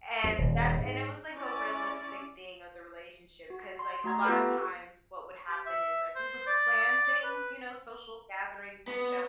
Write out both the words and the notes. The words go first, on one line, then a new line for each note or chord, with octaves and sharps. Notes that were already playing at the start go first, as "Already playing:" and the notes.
and that's and it was like a realistic thing of the relationship. 'Cause, like, a lot of times what would happen is like we would plan things, you know, social gatherings and stuff.
F2
D#1
G#2
C#4 E4 D5
F#4
C6
A3 F#4 A#5 G#6
B3 F4 G4 A4 B4
G4
E5
C5
D5
B4
B3